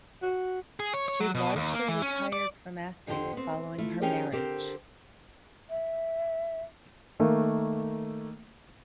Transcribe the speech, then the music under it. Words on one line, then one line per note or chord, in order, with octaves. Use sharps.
She largely retired from acting following her marriage.
F#4
G#4
C#5
C#5
F#3
B2
D#2
A#3
E3
C#4
D5
F2 D3 G4 A4 C5
B3 C4
A3 E4 F4
F3 C#4 D#4 G4 G#4 A#4
D3 C4 G4 A#4 C5
E5
D#3 A3 A#3